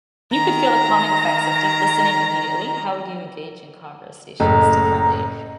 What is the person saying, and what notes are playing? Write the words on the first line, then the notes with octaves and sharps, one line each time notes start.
You could feel the calming effects of deep listening immediately. How would you engage in conversations differently,
D#3 A#5
F#1 A2 A#5